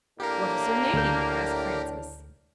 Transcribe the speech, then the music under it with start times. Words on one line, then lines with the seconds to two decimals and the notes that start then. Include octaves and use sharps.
"What is her name?" asked Francis.
0.20 A2 A#3 D4 G4 A#4
0.94 D2 G6